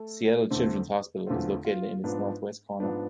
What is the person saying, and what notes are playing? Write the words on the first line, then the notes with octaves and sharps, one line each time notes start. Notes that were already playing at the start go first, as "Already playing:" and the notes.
Seattle Children's Hospital is located in its northwest corner.
Already playing: A3 A4
E2 D3 A3 C4
E2 D3 A3 C4 F4
F4
G#2 F3 B3 D4
G#2 F3 B3 D4